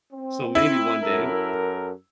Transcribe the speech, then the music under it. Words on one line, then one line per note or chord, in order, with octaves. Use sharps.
So, maybe one day.
C4
E4
F#2 A4 A#4